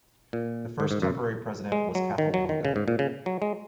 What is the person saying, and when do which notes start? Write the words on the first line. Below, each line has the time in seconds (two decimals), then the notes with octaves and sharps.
The first, temporary president was Cathal Brugha.
0.33 A#2
0.80 G#2
0.91 G#2
1.02 F#2
1.72 G#3
1.95 F#3
2.18 D#3
2.34 F#3
2.49 D#3
2.65 C#3
2.76 G#2
2.88 A#2
2.99 C#3
3.26 F#3
3.42 G#3